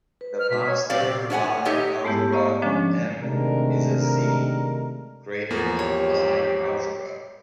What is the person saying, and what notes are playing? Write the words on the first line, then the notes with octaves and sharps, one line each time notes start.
The monster Lie algebra "m" is a "Z"-graded Lie algebra.
B4
F6
B2 B6
C#5 G#6
A#2 F#3 C4 G4 D5 F5
D4 B4 C#5 E5 F#5 G#5
D#4 G4 A4 C#5 D#5 E5
G#2 G#3 A3 B3 E4 G4
D5 D#5 F5 A#5 C#6
D3 F3 G#3 C#4 D4 C#5
C3 D#3 G#3 A3 D4 A#4
E2 F3 A#3
G4 C#5